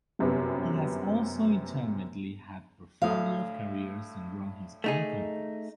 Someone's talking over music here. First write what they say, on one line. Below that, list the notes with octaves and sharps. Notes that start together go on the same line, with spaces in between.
He has also intermittently had portfolio careers and run his own companies.
G1 F#2 C3 B3
D2 A2 F5 D#6
A3 D#4 G#4